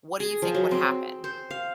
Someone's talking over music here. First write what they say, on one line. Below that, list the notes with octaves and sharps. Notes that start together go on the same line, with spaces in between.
What do you think would happen?
G#4
F3
F#3
C4
C5
F5